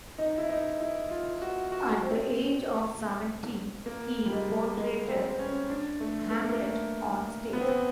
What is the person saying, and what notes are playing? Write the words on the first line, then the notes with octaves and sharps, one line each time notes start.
At the age of seventeen, he portrayed Hamlet on stage.
D#4
E4
D#4
E4
F4
F#4
F#4
C4
A#3
G3
G#3
G#3
C4
C4
C#4
D4
A3
A#3
A3
A#3
B3
C4
B3